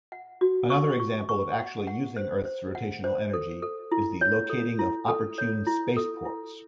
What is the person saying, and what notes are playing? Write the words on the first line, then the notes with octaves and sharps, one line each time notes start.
Another example of actually using earth's rotational energy is the locating of opportune spaceports.
F#5
F#4
C#6
C#6
C#6
F#5
F#5
C5
C5
F#5
C5
A4
A4
E4
C#5
A4
E4
A4
C#5
E4
A4
E4